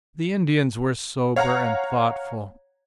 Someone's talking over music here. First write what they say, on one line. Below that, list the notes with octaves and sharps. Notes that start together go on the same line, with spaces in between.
The Indians were sober and thoughtful.
C#5 F5 F#5 A#5